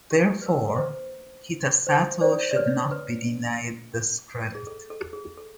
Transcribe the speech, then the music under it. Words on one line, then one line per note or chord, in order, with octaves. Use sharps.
Therefore, Kitasato "should not be denied this credit".
G4
G4
B4
A#4
C5
B4
C5
C5 D5
D5
B4 C#5
B4
G#4
A4
A4
G#4
A4